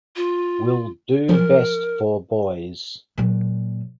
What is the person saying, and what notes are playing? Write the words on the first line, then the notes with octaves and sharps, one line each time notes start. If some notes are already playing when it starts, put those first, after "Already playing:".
Will do best for boys.
F4
F3 F#3 A#4
A#2 F#3